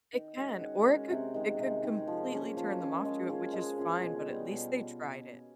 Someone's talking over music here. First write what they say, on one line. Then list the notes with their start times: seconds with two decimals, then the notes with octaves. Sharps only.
It can, or it could it could completely turn them off to it, which is fine, but at least they tried it
0.13 D#3
0.37 G#3 C#4 F#4
0.61 D#3
0.86 G#3 C#4 F#4
1.11 C3
1.34 D#3 G#3
1.59 C3
1.83 D#3 G#3
2.07 F3
2.32 A#3 C#4
2.57 F3
2.81 A#3 C#4
3.05 G#3
3.29 C#4 F4 G#4
3.53 G#3
3.78 C#4 F4 G#4
4.02 B2
4.27 G3 B3
4.51 B2